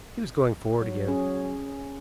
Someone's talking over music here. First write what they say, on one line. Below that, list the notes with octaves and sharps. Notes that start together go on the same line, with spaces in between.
He was going forward again.
F#3
C#4 G#4